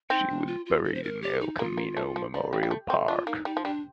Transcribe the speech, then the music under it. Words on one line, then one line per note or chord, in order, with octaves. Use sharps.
She was buried in El Camino Memorial Park.
C4 D#4
D4
F4
F4
A4
C5
A#4
G4
D#4
A#3 F4
A#3
A3
F3
F3 D5
G3 F5
G3
A3
C4 A4
D4 F4
A#3 D#4
G3 D#4
F3
G3 D4